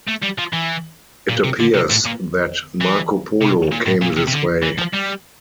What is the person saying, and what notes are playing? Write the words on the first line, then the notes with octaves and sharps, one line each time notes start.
It appears that Marco Polo came this way.
A3
G3
F3
E3
A#2
C3
D3
C3
A2
A#2
E3
C3
A#2
A2
A#2
C3
C3
D3
E3
F3
G3